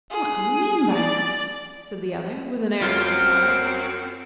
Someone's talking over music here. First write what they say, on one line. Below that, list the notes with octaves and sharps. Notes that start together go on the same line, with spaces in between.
"What do you mean by that?" said the other, with an air of surprise.
G#4
D5
F#2 C4 F4